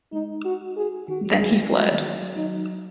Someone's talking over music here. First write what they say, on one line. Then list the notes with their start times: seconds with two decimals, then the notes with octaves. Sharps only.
Then he fled.
0.13 G#3 D#4
0.45 F#4
0.77 G#4
1.08 D#3 F#4
1.25 F#3
1.40 D#3 G#4
1.73 G#3 F#4
1.81 F#3
1.92 D#3
2.02 F#3
2.36 F#3 D#4